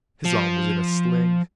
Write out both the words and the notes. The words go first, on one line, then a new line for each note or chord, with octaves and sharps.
His arm was in a sling.
F3